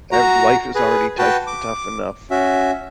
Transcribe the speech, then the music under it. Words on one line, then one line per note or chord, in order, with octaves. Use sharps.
Ev life is already tife tough enough.
F#4 A#5
G#4 B4
F#4 B4 G5 A5
D6
C#4 F#4 E5